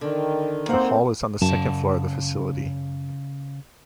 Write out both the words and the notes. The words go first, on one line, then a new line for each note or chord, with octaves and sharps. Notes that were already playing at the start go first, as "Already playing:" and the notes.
The hall is on the second floor of the facility.
D3 D#3
A#3 C4 D#4 C5 F#5
F#2 C#3 A5